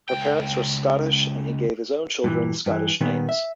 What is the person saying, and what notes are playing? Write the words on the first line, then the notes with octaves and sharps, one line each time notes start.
His parents were Scottish, and he gave his own children Scottish names.
C#2 G5
G2 A#2 E3
G2 E3
A#2 D#3 G3 B3
E5